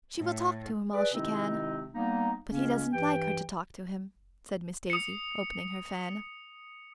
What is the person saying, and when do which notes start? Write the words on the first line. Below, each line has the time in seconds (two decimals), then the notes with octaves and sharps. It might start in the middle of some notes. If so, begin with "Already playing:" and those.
"She will talk to him all she can; but he doesn't like her to talk to him," said Miss Daisy, opening her fan.
0.19 A2
0.93 G#4 B4 D5
1.12 C3 D#3 G#3 C4 D#4 E4
1.93 G3 A#3 B3 D#4
2.50 C#2 C#3 A#3 C#4
2.93 G2 E3 G4 G5
4.90 D#6 C#7